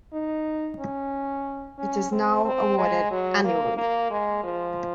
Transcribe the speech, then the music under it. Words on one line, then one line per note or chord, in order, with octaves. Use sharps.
It is now awarded annually.
D#4
C#4
C#4
C4
C4
G#3
F#3
A#3
A#3
G#3
F3